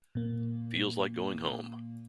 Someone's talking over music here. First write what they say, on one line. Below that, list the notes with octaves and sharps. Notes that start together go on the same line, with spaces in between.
Feels like going home.
A#2 A#3